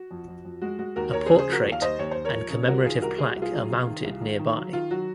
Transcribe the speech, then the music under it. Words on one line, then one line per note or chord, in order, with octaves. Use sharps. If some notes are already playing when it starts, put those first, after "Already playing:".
A portrait and commemorative plaque are mounted nearby.
Already playing: F#4
F2
F2
F2
G#3 F#4
G#3 F#4
D#2 F#4 A#4
D#2 A#4 C#5
G#4 C5
C#3
G#4 C5
F3 F#4 A#4
D#2
F5
D#2 C5 D#5
D#2 C#5
D#2 C5
A#4 C#5
F3
C#3
C2 F#4 A#4
D#3 F4 G#4
C2 F#4 A#4
C2 G#4
F#4
C2
F4 G#4
F#3
C3
D#3
C2
D#3
D#3
F#3
D#3 F4
F#3 F#4